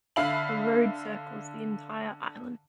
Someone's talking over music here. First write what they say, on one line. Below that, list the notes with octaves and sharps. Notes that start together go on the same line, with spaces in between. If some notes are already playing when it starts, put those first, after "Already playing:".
A road circles the entire island.
D3 E5 F5 B5 F#7